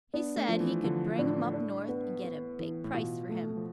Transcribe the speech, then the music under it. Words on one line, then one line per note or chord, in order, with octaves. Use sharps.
He said he could bring him up North and get a big price for him.
B3 D4
A3
F3
E3
D3 F3
A2 D4
D4
B3
B3
E3
A2
B2 F4
A3
F3